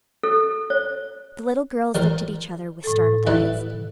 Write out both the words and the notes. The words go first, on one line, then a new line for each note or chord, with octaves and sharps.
The little girls looked at each other with startled eyes.
A4
C#5
G3 A#4 C5
A2 A4
G3 E4 B4 F#6